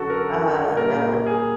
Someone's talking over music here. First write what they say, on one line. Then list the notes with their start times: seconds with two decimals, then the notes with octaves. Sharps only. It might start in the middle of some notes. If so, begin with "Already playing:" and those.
a a
Already playing: F#2 D3 F#3 F#4 A4
0.10 A#4
0.77 A#2 G3 A#3 A#4
1.26 G#4